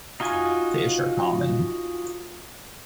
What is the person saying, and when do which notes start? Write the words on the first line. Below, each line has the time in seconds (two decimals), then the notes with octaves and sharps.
Fish are common.
0.20 D#4 F4 F#4 G#5